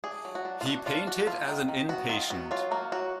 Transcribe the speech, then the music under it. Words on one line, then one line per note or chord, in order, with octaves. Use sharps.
He painted as an inpatient.
D4 G#4
F#3
F#4
D4
F4
D4 F#4
D4 F4
D4 F#4
B3 F4
D#3
D#3
B3 F#4
D#3 F4
B3 F#4
F#3 F4
A#3 F#4
F#3 F#4